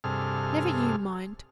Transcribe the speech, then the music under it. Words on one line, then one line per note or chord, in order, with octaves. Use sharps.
'Never you mind.
G2 C3 G#4 A4 F6